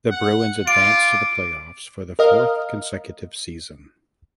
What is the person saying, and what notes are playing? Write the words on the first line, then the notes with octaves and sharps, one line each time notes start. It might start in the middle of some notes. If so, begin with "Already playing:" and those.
The Bruins advanced to the playoffs for the fourth consecutive season.
F#5
F4 D6 D7
A#4 D#5 F5